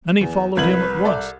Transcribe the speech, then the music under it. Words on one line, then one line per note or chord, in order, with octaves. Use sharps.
Many followed him at once.
E2
C2 E4 B4 G#6 F#7
A4 D5 E5